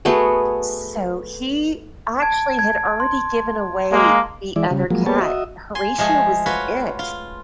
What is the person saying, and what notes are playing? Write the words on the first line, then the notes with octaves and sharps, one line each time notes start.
So, he actually had already given away the other cat, Horatio was it.
A3 B3 F#4 G#4
A5 G#6 D7
G#6
C6
G#3 A#3
E3 G#3 E4 D5
C#3 G3
F3 F#3 G#3 A#3
A#3 B3 G4 G#4 C#5 A5
F#4 D#5 E5
G#5 C6
F3 G#3 A3 G#4
F4 F#4 B4 C#5
F4